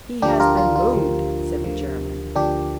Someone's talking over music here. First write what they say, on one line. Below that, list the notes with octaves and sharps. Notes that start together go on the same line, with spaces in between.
"He has been moved," said the German.
D2 D3 F3 D4 G4
F4 A#4
F4
F4
D2 D3 F3
D2 D3 F3
D2 D3 F3 D4 G4